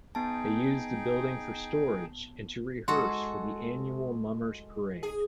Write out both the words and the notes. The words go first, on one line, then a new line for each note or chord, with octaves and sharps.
They used the building for storage and to rehearse for the annual Mummers Parade.
B3 D#4 G#4 G5 A5
G#3 F#4 A4 C6
G#4